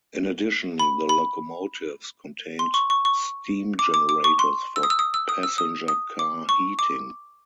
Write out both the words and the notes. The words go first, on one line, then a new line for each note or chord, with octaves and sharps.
In addition the locomotives contained steam generators for passenger car heating.
B5
B5
C6
C#6
C#6
C#6
D6
D6
D6
C#6
C6
E6
D#6
E6
D#6
E6
D#6
E6
D#6
D#6
D6
C#6
D6